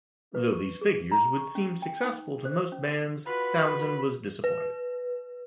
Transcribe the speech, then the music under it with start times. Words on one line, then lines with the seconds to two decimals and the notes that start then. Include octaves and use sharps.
Though these figures would seem successful to most bands, Townshend was disappointed.
0.35 B4
0.53 C#6
0.81 G#4
1.11 A#5
1.38 C#6
1.55 C#4
1.82 G5
2.04 D#4
2.45 C5
2.72 C#4
3.27 F4 F#4 B4 B5
4.44 B4